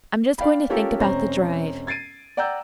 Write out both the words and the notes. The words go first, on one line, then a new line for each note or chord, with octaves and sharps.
I'm just going to think about the drive.
D5 F5 G5 B5
A#3 C#4 F4 G4 A4 A#4
E1 C4 C#4 A#5 A#6
G#6 A6 C7 D7 D#7
D5 F#5 G5 A#5 E6 G6